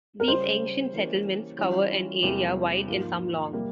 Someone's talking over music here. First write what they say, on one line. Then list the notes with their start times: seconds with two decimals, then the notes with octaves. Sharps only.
These ancient settlements cover an area wide and some long.
0.20 A#4
0.28 C#3 G3 C#4 C5
0.92 E3 A#3 C#4 G4
1.58 E3 G3 C#4 F4
2.23 E2 C3 G3 A#3
2.88 G#2 F3 A#3 F4
3.53 C3 G3 A#3 C4